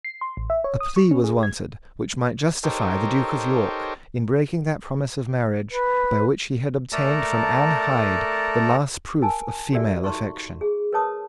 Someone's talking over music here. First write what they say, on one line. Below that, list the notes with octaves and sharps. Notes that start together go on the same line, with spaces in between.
A plea was wanted which might justify the Duke of York in breaking that promise of marriage by which he had obtained from Anne Hyde the last proof of female affection.
C7
C6
A1
E5
C#5
D#6
C#6
C#4
G#4
G#6
D#4 G4 A4 A#4 C5 C#5
B4
A3 A4 A#4 D5 A5 A#5
A#4 G#5 A5
F#4 G4 A4 A#4 D5 E5
D#4 C6 C#6
G#4
A#4 B4 C#5 A5 D#6